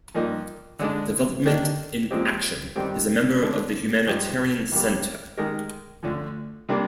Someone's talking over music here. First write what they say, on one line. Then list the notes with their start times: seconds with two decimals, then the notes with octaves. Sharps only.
Development in Action is a member of the Humanitarian Centre.
0.15 G2 F3 A#3 D#4
0.79 D3 G#3 D4
1.45 D#3 A#3 D4 G4
2.11 A#2 F3 G#3 C4 G4
2.76 G2 D#3 G3 C4 G4
3.42 D3 G#3 D4
4.07 G2 F3 G#3 D#4 G4
4.72 F2 C3 G3 A#3
5.37 D#3 G#3 D#4 G4 A#4
6.03 D2 D3 F3
6.69 C3 G3 A#3 D4